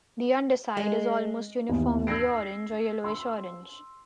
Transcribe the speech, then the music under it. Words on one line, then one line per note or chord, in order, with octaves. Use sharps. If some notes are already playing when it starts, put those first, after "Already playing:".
The underside is almost uniformly orange or yellowish-orange.
G#3
D#2 E3 B3
E6 G#6 A#6 C7 D7
C6 E6